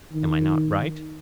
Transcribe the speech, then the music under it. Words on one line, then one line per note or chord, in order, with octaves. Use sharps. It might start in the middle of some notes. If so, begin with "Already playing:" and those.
Am I not right?
D#3